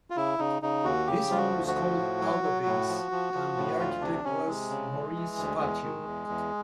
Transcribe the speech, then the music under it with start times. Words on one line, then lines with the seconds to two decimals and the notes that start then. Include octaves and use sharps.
This home was called "Alva Base" and the architect was Maurice Fatio.
0.10 F4
0.16 C#3 E4
0.39 C#3 D#4
0.62 C#3 D#4
0.84 D#2 F#4
1.07 C#3 G4
1.30 F3 F4
1.37 F#4
1.52 D2
1.68 F#4
1.75 F3
1.97 A2
2.20 F#3
2.43 F#3
2.66 A2
2.89 F3
3.11 F3
3.34 F3
3.56 A2
3.79 D2 F4
4.01 C3 D4
4.24 C3 C#4
4.46 C3 G#3
4.70 C#3
4.92 E3
5.15 E3
5.38 D2
5.61 E2
5.83 D#3
6.06 E2
6.29 E2